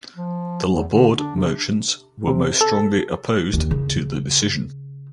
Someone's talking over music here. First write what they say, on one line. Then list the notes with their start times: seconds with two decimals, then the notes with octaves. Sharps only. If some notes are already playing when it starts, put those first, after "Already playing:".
The Labourd merchants were most strongly opposed to the decision.
0.16 F3
0.76 E2
0.92 D3
1.17 D4
1.36 C3
2.28 C3
2.61 A4
3.53 D#2 D4
3.71 C#3